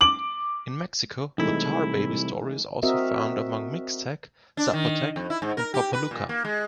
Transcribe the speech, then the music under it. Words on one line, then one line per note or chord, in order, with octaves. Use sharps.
In Mexico, the tar baby story is also found among Mixtec, Zapotec, and Popoluca.
D6 F#7
C2 E3 G#3 A3 D#4 E4
C4 F#4 A#4 D#5 E5
D4
D#3
F2
E4
G#2
A#4
G4
B4
A#2
A#3
G#3